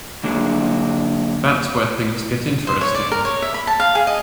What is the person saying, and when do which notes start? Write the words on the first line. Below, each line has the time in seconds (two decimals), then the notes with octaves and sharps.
That's where things get interesting.
0.24 D3 F#3 A#3 D4 G#4
2.67 C5
2.81 C#5
2.95 D5
3.11 A#4
3.25 C#5
3.42 E5
3.54 B5
3.67 A5
3.80 F5
3.95 G#4
4.07 D#5